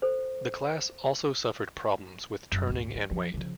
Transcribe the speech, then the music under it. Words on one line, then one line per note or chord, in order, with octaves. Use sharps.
The class also suffered problems with turning and weight.
A4 C5
F#2 F#3
G#1 D2
E3
F3
C#3 F3